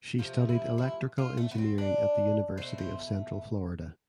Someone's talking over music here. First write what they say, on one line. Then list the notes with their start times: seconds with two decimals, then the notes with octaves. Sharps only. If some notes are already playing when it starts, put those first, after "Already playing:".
She studied electrical engineering at the University of Central Florida.
0.18 C3 F3 A3
0.49 E4
0.78 E4
1.18 F4
1.37 A3
1.51 B3
1.58 C4
1.78 D4
2.57 B2 A3 C5
2.78 C5